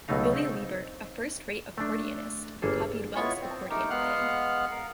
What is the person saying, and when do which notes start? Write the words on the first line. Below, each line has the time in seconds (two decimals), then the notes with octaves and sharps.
Billy Liebert, a first-rate accordionist, copied Welk's accordion playing.
0.08 C#2 B2 F#3 A3 D#4 F5
0.33 C4 D#4
1.78 A3 D4
2.62 G1 A#3 G#4 A4
3.15 G#3 B3 E4 F4 C#5 C#6
3.41 C4
3.70 A3 D#4 G4 A#4
3.90 G#3 B3 F5 F#5 F6 F#6
4.71 A#4 F5